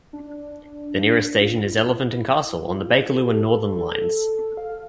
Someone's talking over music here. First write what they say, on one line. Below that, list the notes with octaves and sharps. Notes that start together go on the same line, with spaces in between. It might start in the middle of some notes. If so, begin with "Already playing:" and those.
The nearest station is Elephant and Castle on the Bakerloo and Northern lines.
D4
F4
E4
F4
G4
A4
G4
A4
F5